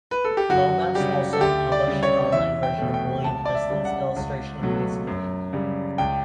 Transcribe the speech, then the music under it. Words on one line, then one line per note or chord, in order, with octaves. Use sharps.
Lomas also published an online version of William Preston's "Illustrations of Masonry".
B4
A4
G4
F#2 F#4
C#3 G3 G4
A4
D2 G4
D5
C#3 G3
C#5
E2 E5
G5
B2 A3
G5
C#2 A5
D5
E5
C#3 G3
F#5
C#2
B2 F#3 A3
F#2
C#3 G3
C#2 G5